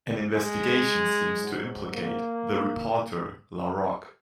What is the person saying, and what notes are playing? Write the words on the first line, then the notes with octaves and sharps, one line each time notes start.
An investigation seems to implicate the reporter, LaRoque.
G#3
G#2 F#3
A#3